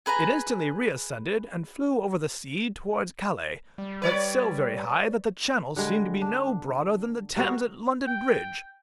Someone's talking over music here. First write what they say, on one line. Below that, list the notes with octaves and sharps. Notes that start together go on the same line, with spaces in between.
It instantly reascended and flew over the sea towards Calais, but so very high that the Channel seemed to be no broader than the Thames at London Bridge.
G#4 B4 G#5 A#5
G3
B4 C#5 D5
D3 G3 G#3
D4
G3 A#3 F#4
G5